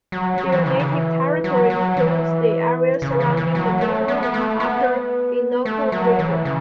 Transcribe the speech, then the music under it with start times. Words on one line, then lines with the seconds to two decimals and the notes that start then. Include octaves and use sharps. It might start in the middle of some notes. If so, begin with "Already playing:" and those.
Their native territory includes the area surrounding the middle and upper Innoko River.
0.12 F#3
0.38 F#3
0.52 E3
0.66 C#3
0.80 E3
1.44 F#3
1.70 F#3
1.97 E3
3.02 C#3
3.20 E3
3.37 E3
3.55 F#3
3.81 A3
4.08 B3
4.23 B3
4.34 A3
4.60 B3
5.65 A3
5.92 F#3
6.19 E3
6.45 C#3